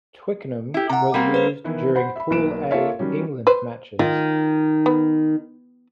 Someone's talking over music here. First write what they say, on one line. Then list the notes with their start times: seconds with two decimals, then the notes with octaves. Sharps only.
Twickenham was used during pool A England matches.
0.74 E4 G4
0.89 C3 F#5 A#5
1.14 G3 A#3 C4
1.34 B4 C5
1.64 D#3 E3 B3 E4
1.95 C5 F#5 B5
2.16 E5 B5
2.30 B1 A#3 B4 D7 E7
2.71 A#3 F4 A4 C#5 E5 F5
2.99 D#3 F#3 G3 C#4
3.47 B4 C5
3.99 D#3 F4
4.86 B3